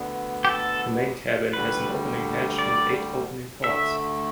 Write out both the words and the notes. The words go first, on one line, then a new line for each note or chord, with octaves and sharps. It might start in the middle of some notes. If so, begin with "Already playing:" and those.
The main cabin has an opening hatch and eight opening ports.
Already playing: D2 D3 B3
G4
A4
D2 D3 G3 B4
D5
D2 D3 A3 E5